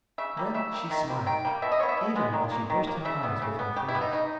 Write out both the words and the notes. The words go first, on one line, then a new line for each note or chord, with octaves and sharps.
Then she smiled, even while she brushed her eyes with her fingers.
C#3 E5
G3 A#3
C#3 E5
G3 A#3
D#3 E5
G3 A#3
D#3 G5
G3 A#3
B2 E5
D#5
G#3 B3 C#5
E5
B2
G#3 B3
D#3
A#3
D#3
A#3
C#3 E5
G3 B3
C#3
G3 B3
C#3 G4
E4
G3 B3
D#4
C#3 D#4